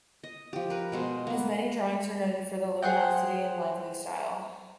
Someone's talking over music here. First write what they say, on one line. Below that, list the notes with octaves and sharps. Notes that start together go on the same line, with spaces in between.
His many drawings are noted for their luminosity and lively style.
D#5
F3 G4
A#4 B4
B2 G#3 C5
A#3 B3
G#4 C5 F#5 G5